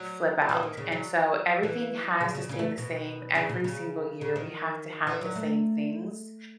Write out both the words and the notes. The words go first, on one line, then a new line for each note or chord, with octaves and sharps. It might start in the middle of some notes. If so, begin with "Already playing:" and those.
flip out, and so, everything has to stay the same. Every single year, we have to have the same things,
Already playing: F#3
E3
D#3
C#3
F#3
E3
C#3
C#3
C#3
A3
B2
C#3
B2
C#3
C#3
D#3
E3
F#3
A3